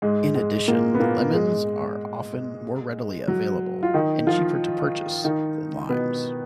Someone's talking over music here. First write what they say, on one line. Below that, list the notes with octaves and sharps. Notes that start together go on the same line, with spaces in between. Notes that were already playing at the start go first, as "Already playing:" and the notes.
In addition lemons are often more readily available, and cheaper to purchase, than limes.
G#2 G#3
G#2 G#3
A#2 A#3
B3
A#2 A#3
G#2 G#3
F#3
F4
D#3 D#4
F3 F4
D#3 D#4
B2 B3